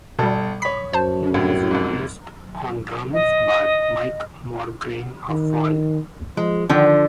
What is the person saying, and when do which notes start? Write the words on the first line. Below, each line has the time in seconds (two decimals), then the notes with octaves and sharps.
He was replaced on drums by Mike Mongrain of Foil.
0.19 G1 B2 G3 A4
0.62 C#5 B5 B6
0.93 F#2 C5 A5
1.34 C2 A2
1.71 C2 F2 G#2
3.13 D#5
5.29 D#3
6.37 F3 G#3
6.69 D3 D#3 F3